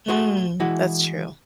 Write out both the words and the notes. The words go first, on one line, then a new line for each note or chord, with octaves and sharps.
Mm, that's true.
A3 F#4 G#4 C6
E3 G#3 E4 F#4